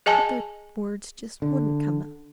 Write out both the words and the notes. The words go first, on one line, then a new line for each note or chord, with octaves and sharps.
But the words just wouldn't come.
G#4 D#5 G#5 A5
D3